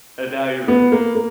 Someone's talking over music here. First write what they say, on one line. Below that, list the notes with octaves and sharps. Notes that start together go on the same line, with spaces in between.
and now you're
B3
A#3
A#3